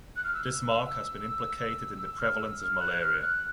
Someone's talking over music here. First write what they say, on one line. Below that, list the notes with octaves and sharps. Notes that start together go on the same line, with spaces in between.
This mark has been implicated in the prevalence of malaria.
F#6
F6
E6
E6
F6
E6
F6
F#6
F6
F#6